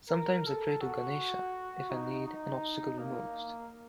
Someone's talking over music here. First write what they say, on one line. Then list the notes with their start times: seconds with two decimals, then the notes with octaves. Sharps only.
Sometimes I pray to Ganesha if I need an obstacle removed.
0.09 A#4
0.46 A4
0.81 F#4
1.90 D#4
2.26 D#4
2.99 A#3